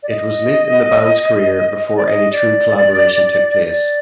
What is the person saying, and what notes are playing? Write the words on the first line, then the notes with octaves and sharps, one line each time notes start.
It was late in the band's career before any true collaboration took place.
D5
D#5
D#5
D5
D#5
D5
D5